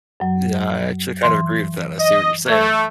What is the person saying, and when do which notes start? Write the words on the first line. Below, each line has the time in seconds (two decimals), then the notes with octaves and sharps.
Yeah. I actually kind of agree with that. I see what you're saying.
0.20 F#2 F#3
1.23 E3 C6
2.00 D#5
2.47 A3 G#6